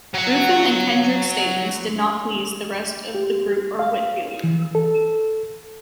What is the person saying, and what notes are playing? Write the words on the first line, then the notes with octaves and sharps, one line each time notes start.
Ruffin and Kendricks' statements did not please the rest of the group or Whitfield.
F#3 F#5
G4
F5
E3
A4